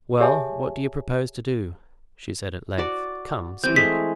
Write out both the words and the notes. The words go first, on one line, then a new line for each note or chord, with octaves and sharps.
"Well, what do you propose to do?" she, said at length; "come, speak."
G4 G#4 C#5 E5 G#5 A5
F#4 D5
E3 G3 C4 G6
G#3 A3 B6